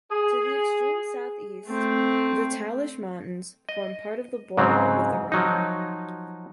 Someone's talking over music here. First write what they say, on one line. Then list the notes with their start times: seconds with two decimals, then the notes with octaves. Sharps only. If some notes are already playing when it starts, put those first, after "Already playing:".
To the extreme southeast, the Talysh Mountains form part of the border with Iran.
0.11 G#4
1.67 A3 C4
3.69 D#5
4.57 G#2 C#3 F#3 C4
5.32 F3 F#3 D#4